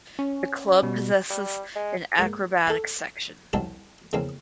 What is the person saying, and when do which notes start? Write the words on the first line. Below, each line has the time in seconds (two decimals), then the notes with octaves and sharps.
The club possesses an acrobatics section.
0.19 C#4
0.83 B2 G3
1.30 G3
1.76 G#3
2.19 G#2 A#3
2.67 A4 F5
3.53 C2 F#3 C4 C#5 D#5 A5
4.13 E2 C#3 A#3 C4